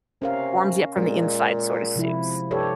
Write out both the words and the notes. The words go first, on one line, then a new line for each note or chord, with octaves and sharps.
warms you up from the inside sort of soups.
C3 C#4 A#4 F5
A#2 G#3
C3 F3 E4
G2 G4 A4 C#5